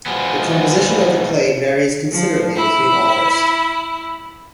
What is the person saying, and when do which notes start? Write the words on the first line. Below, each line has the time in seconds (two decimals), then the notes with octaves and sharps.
The composition of the clade varies considerably between authors.
0.06 B2 F3 G#3 B3
2.11 F3
2.55 E4